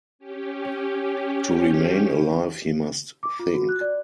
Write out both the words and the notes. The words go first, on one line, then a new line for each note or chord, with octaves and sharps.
To remain alive, he must think.
C#4 G4
D6
F4
F#4
F#6
D5